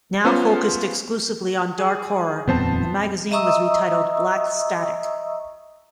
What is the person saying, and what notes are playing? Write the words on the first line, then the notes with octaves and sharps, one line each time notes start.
Now focused exclusively on dark horror, the magazine was retitled "Black Static".
B3 C#4 F4 C5
G#4
D#1 F2 B3 C4 C5 A5
D#5 E5 A#5 C#6 D#6 E6